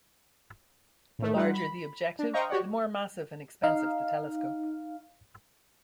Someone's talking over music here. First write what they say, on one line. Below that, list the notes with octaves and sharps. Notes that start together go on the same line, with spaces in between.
The larger the objective, the more massive and expensive the telescope.
A2 A3
G3 D#4 F4 F#5
B5
D4
C5 D#5 F5 G5 A#5 C#6
F#4 G4 C#5 D5 F#5
D#4 F5